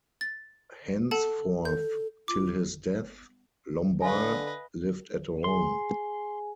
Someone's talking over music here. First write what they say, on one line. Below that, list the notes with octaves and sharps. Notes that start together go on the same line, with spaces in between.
Henceforth till his death, Lombard lived at Rome.
A6
A4 F#5 A5
A4 G6
F4 D6
D3 B4 D#5 F5 G#5
G#4 G#5 C6